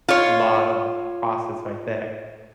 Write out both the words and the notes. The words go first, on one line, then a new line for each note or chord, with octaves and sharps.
lot of a process right there.
F4 C#5